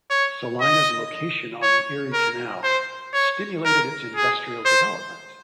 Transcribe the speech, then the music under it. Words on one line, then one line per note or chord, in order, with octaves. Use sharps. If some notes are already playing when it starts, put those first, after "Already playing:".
Salina's location on the Erie Canal stimulated its industrial development.
C#5
D#5
C#5
A#4
C5
C#5
A#4
G#4
C5